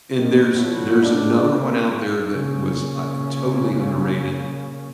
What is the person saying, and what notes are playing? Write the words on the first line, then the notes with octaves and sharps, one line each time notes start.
and there's there's another one out there that was, uh, totally underrated,
G2 D#3
B2 D3 F3 F#3 E4 F#4
C#2 D4
A#3
A#2 C#3